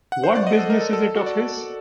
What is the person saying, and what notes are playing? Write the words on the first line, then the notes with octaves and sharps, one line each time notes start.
What business is it of his?
F#5
C5
D5
D#5
A4
A#4
A4
A4
A4
F#4
D5